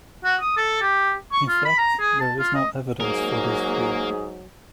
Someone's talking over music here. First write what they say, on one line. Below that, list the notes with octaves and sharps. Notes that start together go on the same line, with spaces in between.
In fact, there is no evidence for this view.
F#4
D#6
A4
G4
C#6
F4
B5
A#5
G#4
A5
F4
D#5
G#2 F#3 A#3 G#4 A#4